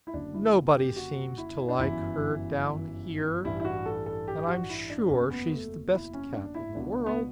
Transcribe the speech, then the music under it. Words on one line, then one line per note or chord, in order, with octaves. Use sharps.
'Nobody seems to like her, down here, and I'm sure she's the best cat in the world!
E4
F#1 F#2 D3 D4
E4
G4
F#4
E4
D4
G1 F#2 E3 E4
A1 G2 E3 E4
E4
F#4
A4
A4
G4
F#4
E4
D4
F#1 E2 B2 C#4
B3
A3
E4
C#4
D4
E4
C#2 B2 D4
B3